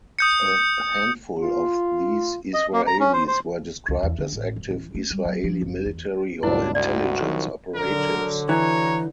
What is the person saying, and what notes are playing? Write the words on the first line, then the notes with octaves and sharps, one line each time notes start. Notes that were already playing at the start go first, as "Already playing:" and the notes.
A "handful" of these Israelis were described as active Israeli military or intelligence operatives.
D#6 G6 C#7
F4
D#5
A#3
A#5
C#4
C5
C5
C#2
E2
D3
A1
D1
E3
A3
G3
F#3
F3
F#1
E2
C#2 G2 A#2 F#3 D4 E4
C2 F#4 D5
D#3 F3 F#3
D3 F#3 A#4
E3 C#5 A#5